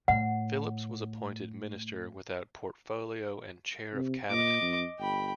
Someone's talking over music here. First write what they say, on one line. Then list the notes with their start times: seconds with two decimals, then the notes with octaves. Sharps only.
Phillips was appointed minister without portfolio and chair of cabinet.
0.08 A2 F#5
3.94 C3
4.30 A#2 D#5 D6
4.61 F2
4.99 G1 G5 B5